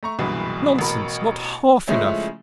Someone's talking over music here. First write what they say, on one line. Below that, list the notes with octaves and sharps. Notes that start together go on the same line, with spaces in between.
'Nonsense! not half enough.'
A3 A#5 C#6
F#1 C2 G2 B2 E3
A1 B2 A#4 B5
C#3 F3 G#3 A3 C#4 E4